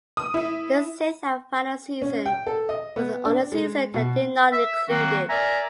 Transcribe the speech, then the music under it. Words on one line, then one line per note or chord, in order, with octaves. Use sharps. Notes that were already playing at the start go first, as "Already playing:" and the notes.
The sixth and final season was the only season that did not include it.
D#6
E4
C#4
G5
A4
D#5
B3
D4
G#3
B2
E5
D#3 F#3 A#3 C4 F#4
A#4 D5 E5 G#5 A#5